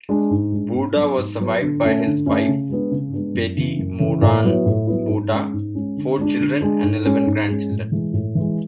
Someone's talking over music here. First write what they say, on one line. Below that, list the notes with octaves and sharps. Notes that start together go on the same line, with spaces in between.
Boorda was survived by his wife, Bettie Moran Boorda, four children and eleven grandchildren.
G#3 D4
G#2
G#3 D4
G#2
F#3 B3
G#2
F#3 B3
D3
A3 C#4
D3
A3 C#4
C#3
G#3 B3 D4
C#3
G#3 B3 D4
F#2
C#3 E3
F#2
C#3 E3
A2
F#3 B3 E4
A2
F#3 B3 E4
G#2
G#3 C#4
G#2
G#3 C#4
D3
G#3 D4
D3
G#3 D4
G#2
G#3 C#4
G#2
G#3 C#4
A2
E3 G#3
A2
E3 G#3